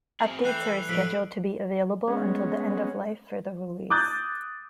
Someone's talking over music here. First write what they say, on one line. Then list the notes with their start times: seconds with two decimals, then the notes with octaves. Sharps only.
Updates are scheduled to be available until the end of life for the release.
0.20 C4 G#4 F6
0.45 E3 A3 G5 F#6 G6 C7 F#7
0.89 A2 F3 A4 E6 B6 D7 F#7
2.08 G#3 B3 C#4
3.90 D6 D#6 F#6 G6 A6